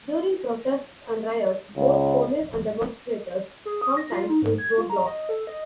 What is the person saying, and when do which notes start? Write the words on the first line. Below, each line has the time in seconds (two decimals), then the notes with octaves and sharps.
During protests and riots, both police and demonstrators sometimes use roadblocks.
1.76 C#2
3.65 G#4
3.81 D#6
3.97 A#6
4.12 F4
4.30 D#4
4.42 G#2
4.58 G#6
4.78 F4
4.90 A#5
5.06 D#5
5.29 A4
5.47 D#5